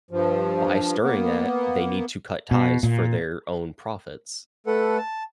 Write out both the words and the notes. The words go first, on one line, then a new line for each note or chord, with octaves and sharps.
by stirring that, they need to cut ties for their own profits,
G2 F3
A#3 B3
B2
A#2
A3 A4 B4 F#5
A5